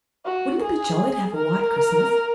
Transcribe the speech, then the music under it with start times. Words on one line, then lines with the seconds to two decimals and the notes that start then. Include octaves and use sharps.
Wouldn't it be jolly to have a white Christmas?
0.25 F#4
0.62 G#4
1.34 A#4